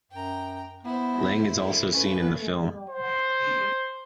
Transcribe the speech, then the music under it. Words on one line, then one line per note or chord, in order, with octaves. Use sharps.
Lang is also seen in the film.
F#2 G5 A#5
B3 E4 C5
F2
A3 C#4 B4
C5